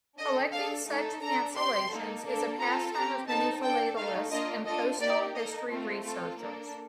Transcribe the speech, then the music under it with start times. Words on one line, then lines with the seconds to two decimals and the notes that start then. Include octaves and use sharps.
Collecting such cancellations is a pastime of many philatelists and postal history researchers.
0.18 D4 A4 D#5
0.52 D4 A4 F5
0.87 A3 D#4 A4
1.21 D4 A4 A#5
1.56 C4 G4 C6
1.90 A#3 D#4 A4
2.25 A#3 D4 A4
2.59 C4 F4 A4 A#5
2.93 C4 G4 A#5
3.28 C4 D#4 A4 A5
3.62 D4 A4 G5
3.97 A3 D#4 A4 F5
4.31 A#3 D4 F4 D#5
4.65 D4 F4 A4 D#5
5.00 A#3 D#4 G4 D5
5.35 A#3 D#4 A4 D#5
5.69 A3 C4 F4 A4
6.03 C4 F4 A4
6.38 A#3 D4 A4